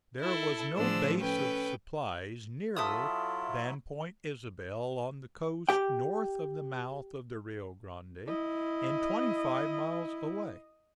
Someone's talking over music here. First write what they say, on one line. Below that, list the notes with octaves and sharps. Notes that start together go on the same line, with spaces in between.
There was no base of supplies nearer than Point Isabel, on the coast, north of the mouth of the Rio Grande and twenty-five miles away.
E4 A4
A2 F3 D4 G#4 C5 E6
C#4 A4 B4 G5
F#3 E4 F4 A4 E5 D#6
G4 G5
E4 D#5